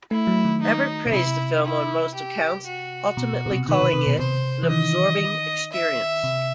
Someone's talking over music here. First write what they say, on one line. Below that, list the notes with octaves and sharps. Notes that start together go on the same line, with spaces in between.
Ebert praised the film on most accounts, ultimately calling it "an absorbing experience".
A3 E4
F#3
D#3
D#4
B2
C3 E4
E4
G4
F#4
B2
B2
B2
C3
D#3 B4
D#3
C3
B2
C3 C5
E3
D#3 D#5
E5
C3